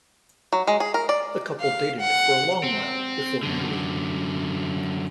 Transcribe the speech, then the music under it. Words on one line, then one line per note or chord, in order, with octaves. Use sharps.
The couple dated for a long while before marrying.
F#3
G#3
G#4
A#4
D5
F5
F#5
C4
F#2 D3